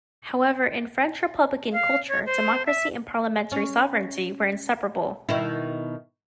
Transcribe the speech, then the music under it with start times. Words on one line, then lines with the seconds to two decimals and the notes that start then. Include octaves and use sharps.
However, in French Republican culture, democracy and parliamentary sovereignty were inseparable.
1.72 F5
2.08 C#5
2.26 C5
2.66 E5
3.52 C#4
5.29 B2 D#3 E4